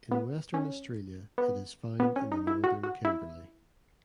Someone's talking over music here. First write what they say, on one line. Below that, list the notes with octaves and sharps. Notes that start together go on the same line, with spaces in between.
In Western Australia it is found in the northern Kimberley.
B3
C#4
B3
B3
C#4
D#4
E4
F#4
F#4
E4